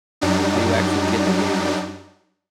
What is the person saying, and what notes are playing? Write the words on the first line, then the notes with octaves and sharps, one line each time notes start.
how you actually get the games,
F#2 F#3 G3 D4 D#4